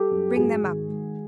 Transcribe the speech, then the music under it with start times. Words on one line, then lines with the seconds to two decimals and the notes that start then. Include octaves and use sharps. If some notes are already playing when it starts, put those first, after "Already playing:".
Bring them up.
Already playing: G3 G4 A4
0.11 F#2
0.36 G#2 F#4 G#4
0.62 D#3
0.88 G#3